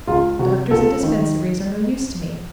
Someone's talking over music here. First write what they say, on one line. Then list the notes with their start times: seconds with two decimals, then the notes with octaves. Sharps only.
Doctors and dispensaries are no use to me.
0.07 C#2 F4
0.39 C3 F#4
0.71 C#2 A4
1.03 D#3